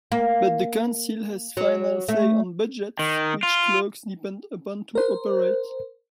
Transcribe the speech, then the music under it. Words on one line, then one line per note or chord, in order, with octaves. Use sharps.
But the council has final say on budgets which clerks depend upon to operate.
A#3
F#3
A3
D#3
F4
A#4 C5